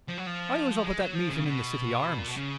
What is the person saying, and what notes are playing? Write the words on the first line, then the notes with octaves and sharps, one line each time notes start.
I was up at that meeting in the City Arms.
F3
F#3
F3
G#3
F#3
F3
C#3
B2
A#2
B2
C#3